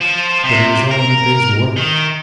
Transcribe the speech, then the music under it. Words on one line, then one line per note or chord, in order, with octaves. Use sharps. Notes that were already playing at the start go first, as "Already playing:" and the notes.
But it is all in the day's work.
F3
C3
A#4
D#3